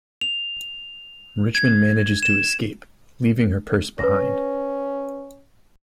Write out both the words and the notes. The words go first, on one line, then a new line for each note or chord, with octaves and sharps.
Richman manages to escape, leaving her purse behind.
F7
G#6
E7
C#4 B4 A#6